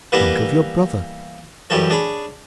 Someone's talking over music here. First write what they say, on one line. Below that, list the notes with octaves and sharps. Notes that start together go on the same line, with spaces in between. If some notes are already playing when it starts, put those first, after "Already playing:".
Think of your brother!
E3 G3 A#3 B3 E4 B4
F#2 E3 G3 A4 C#5
D4 G#4 C#5 B5